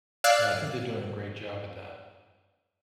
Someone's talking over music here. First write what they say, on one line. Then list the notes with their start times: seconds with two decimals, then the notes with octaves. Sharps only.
Yeah, I think they're doing a great job with that
0.24 D5 F5 E6 F#6 G#6